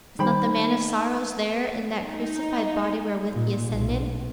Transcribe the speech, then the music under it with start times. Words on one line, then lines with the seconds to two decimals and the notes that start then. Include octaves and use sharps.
Is not the Man of Sorrows there in that crucified body wherewith he ascended?
0.19 D#3 G3 D#4 C5 G5 B5
2.03 D#4
3.34 A#2
3.70 B1